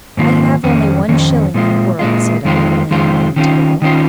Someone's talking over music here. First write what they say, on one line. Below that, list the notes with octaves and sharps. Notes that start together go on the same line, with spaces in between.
"I have only one shilling in the world," said Ellen, laying it on the table.
G#2 D#3 A#3 F4
F2 D#3 C#4
F2 D#3 C#4
A#2 G#3 F4
A#2 G#3 F4
F2 D#3 G#3 F4
F2 D#3 G#3 F4
D#3 C#4 F4
D#3 C#4 F4